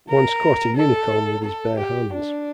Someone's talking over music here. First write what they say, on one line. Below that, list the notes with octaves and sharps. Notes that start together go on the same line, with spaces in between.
Once caught a Unicorn with his bare hands.
A#4
A4
A4
G4
D4